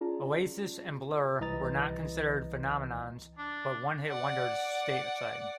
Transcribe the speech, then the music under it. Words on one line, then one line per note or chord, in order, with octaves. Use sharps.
Oasis and Blur were not considered phenomenons but one-hit wonders stateside.
C#4 F4 G#4 D5 A5 A#5
C2 E3 D#5 A#5 A6
D4
D5 F#5